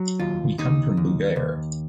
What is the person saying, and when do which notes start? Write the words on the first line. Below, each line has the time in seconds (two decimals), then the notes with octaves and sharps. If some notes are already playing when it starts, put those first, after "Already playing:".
We come from Búger.
Already playing: F#3
0.19 D#2 F4
0.58 D#2 D#4
0.97 D#2
1.36 D#2